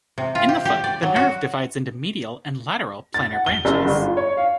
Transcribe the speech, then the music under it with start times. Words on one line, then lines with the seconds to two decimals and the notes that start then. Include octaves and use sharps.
In the foot, the nerve divides into medial and lateral plantar branches.
0.18 C3
0.35 F4
0.49 G4
0.65 G4
0.84 D5
1.03 F#3
1.16 F#4
3.14 A6
3.33 F#5
3.46 G7
3.65 F#1
3.85 G1
4.02 F4
4.17 C#5
4.37 F5